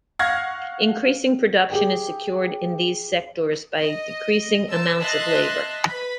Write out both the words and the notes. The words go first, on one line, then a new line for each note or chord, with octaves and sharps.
Increasing production is secured in these sectors by decreasing amounts of labour.
F5 F#5 C#6 F6 G#6 A#6
G4 G#4 G5
D#5
A#4 C5 A5 E6
D#5 E5 A5 C6 F#6 A#6
B4 B5